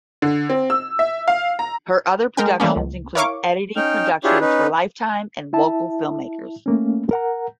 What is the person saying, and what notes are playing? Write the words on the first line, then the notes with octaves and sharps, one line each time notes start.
Her other productions include editing productions for Lifetime and local filmmakers.
D3
C4
E6
E5
F5
A#5
G#3 A#4 G5
E3 G3 A3 A#3 C#4
C#2
E4 A#4 C#5 F5 C#6 D6
C#4 D#4 G5 F6
D4 E4 F4 G4 G#4 C#5
C#4 D#4 B4
E4 E5 A5
A3 A#3 C#4
A#4 F#5 A#5